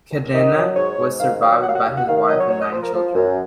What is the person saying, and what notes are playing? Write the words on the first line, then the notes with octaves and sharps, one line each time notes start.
Cadena was survived by his wife and nine children.
D#2
D#3 D#5
F#3
G#2 C#5
G#2
D#3 F5
F#3 F5
D#2 F#5
F5
F#5
D#2 F5
F#5
D#3 F5
F5
F#3 D#5
C#5
F#2 C#5
D#5
F3 C5
A#4
F3
F#2